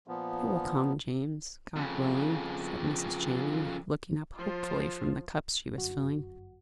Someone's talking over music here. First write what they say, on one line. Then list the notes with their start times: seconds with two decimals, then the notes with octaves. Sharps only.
"It will come, James; God willing," said Mrs. Channing, looking up hopefully from the cups she was filling.
0.08 A#2 F3 B3
1.76 F2 C#3
4.36 F3 F4
5.78 G1 F#2 F#4